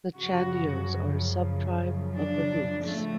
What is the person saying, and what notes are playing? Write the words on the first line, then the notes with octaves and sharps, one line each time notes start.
The Chandios are a sub-tribe of the Hooths.
F#2 C#3 F3 F#4
D4
A2 F3 A3